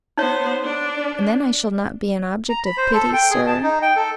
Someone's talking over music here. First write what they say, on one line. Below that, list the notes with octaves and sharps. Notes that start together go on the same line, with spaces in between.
"And then I shall not be an object of pity, sir?"
B3 D#4 C5 C#5
D4
A#5
B5
C5
A4
G5
G#4
A5
D#4
G5
A4